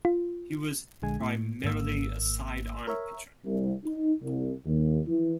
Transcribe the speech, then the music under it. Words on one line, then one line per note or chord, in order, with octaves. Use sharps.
He was primarily a side-arm pitcher.
F4
A#1 D3 G#3 G#5
A2
G#1 A#3 E6
A#4 C#5 E5
C2
D#4
C2
D#2
E3